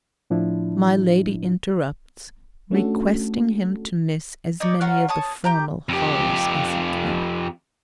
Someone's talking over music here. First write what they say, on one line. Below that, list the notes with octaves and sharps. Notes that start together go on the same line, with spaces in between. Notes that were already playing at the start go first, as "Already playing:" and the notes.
My Lady interrupts, requesting him to miss as many of the formal horrors as he can.
A2 F3 D4 E4
A3 C#4 D4 F#4 A4
D#4 C#5 D5
C#4 F4 F#4 A#4
C#5 A5 D#6
G4 A#5 G6
F2 G4